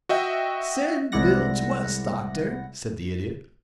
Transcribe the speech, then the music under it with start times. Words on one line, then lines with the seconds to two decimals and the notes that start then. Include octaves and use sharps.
"Send Bill to us, Doctor," said the Idiot.
0.09 F#4 D#5 E5 G5
1.12 C2 G#3 E4 D5 F#5 A#6